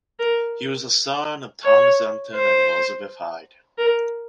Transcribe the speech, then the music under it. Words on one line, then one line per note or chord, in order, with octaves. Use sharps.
He was the son of Thomas Unton and Elizabeth Hyde.
A#4
C#5
C5
A#4